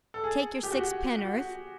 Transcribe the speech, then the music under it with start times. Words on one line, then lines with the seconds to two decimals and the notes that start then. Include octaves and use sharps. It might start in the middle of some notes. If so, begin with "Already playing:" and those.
Take your sixpenn'orth.
0.14 A4
0.24 G#4
0.63 G4
0.72 F#4
1.18 F#4